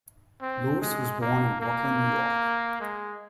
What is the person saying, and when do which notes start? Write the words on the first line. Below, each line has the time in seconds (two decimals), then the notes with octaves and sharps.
Lewis was born in Brooklyn, New York.
0.42 C4
0.82 G#3
1.21 A#3
1.61 A#3
2.81 G#3